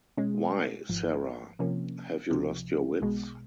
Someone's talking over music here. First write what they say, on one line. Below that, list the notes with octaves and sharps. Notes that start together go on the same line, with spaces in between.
Why, Sara, have you lost your wits?
B2 G#3 C#4
G#1 G#2 F3
C3 F3 A#3 C#4
C#2 C3 F3
B1 B2 G#3